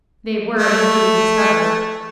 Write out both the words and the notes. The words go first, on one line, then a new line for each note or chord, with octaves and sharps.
They were indeed discovered.
A3